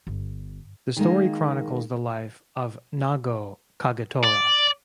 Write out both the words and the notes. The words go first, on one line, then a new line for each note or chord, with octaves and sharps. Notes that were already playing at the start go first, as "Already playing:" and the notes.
The story chronicles the life of Nagao Kagetora.
G1
D#3 G#3 A#3
D5